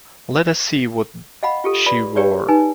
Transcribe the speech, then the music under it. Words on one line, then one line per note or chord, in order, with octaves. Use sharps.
Let us see what she wore.
D#5 F5 F#5 B5
F4 G4 A4
B4 D5 B5
G4 B4 C#5 D5
D#4 B4 G#5